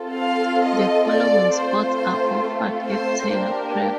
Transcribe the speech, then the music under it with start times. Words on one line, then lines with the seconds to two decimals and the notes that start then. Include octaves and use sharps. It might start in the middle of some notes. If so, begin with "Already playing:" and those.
The following sports are offered at Taylor Prep.
Already playing: C4 F4 A4
0.16 F5
0.61 D#5
1.06 D5
1.50 A3 C4 F4 A4 C5
1.95 C5
2.84 C5
3.28 A#3 D4 G4 A#4